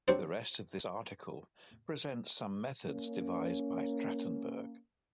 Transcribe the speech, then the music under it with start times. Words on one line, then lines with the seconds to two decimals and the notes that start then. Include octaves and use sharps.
The rest of this article presents some methods devised by Trachtenberg.
0.08 F#3 C4 D4 C5
2.85 A#3 C#4